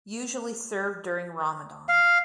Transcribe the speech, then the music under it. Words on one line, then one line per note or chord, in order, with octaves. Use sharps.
Usually served during Ramadan.
F5